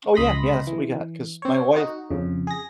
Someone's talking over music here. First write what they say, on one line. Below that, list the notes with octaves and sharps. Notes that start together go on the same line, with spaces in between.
Oh yeah, yeah, that's what we got, 'cause my wife y
C#2 D#5 B5 C6 A#6
E3
C4 C#5
D#4 F#4
F2 C#3
G#4 A#6